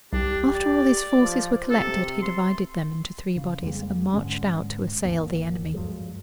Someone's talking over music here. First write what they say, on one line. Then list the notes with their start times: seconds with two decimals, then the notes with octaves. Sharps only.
After all his forces were collected, he divided them into three bodies, and marched out to assail the enemy.
0.13 C2 D4 G4
0.54 D5
1.21 F3
1.70 C3 A4
2.22 C6
3.36 C#3
3.62 F2 G3 G#3 A#3
4.14 G#2 D3 G#3 C#4
5.05 G#1 D#2 A#3
5.74 G2 F3 F#3 G#3